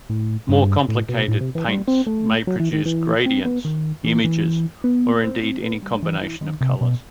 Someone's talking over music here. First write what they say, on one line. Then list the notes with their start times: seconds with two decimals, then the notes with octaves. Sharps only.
More complicated paints may produce gradients, images, or indeed any combination of colors.
0.09 A2
0.49 G2
0.88 A2
1.09 B2
1.28 A2
1.41 C3
1.55 E3
1.68 G3
1.88 C4
2.07 A3
2.47 F#3
2.60 E3
2.73 D#3
2.85 E3
3.26 C4
3.45 B3
3.65 D#3
4.04 E3
4.24 E3
4.84 B3
5.24 C4
5.43 C4
5.63 B3
5.82 G3
6.03 E3
6.22 E3
6.41 D#3
6.61 C3
6.81 B2